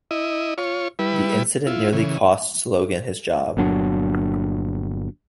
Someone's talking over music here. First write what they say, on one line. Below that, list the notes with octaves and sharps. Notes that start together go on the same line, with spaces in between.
The incident nearly costs Logan his job.
E4 D#5
F4 C#5
G3 E4 B4
E4 F4
C#3 E3
G1 A#2 F#3 D4